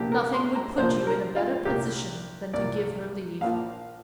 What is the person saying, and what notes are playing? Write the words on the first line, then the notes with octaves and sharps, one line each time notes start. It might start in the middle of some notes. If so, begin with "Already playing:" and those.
"Nothing would put you in a better position than to give her leave."
Already playing: C2 A#2 F3 A#3 G4
A#4
C6
A#5
C2 A#2 F3 A#3 C5
A#4
F4
C2 A#2 A#3 G4
C2 A#2 A#3 D5
A#1 A#2 F3 F5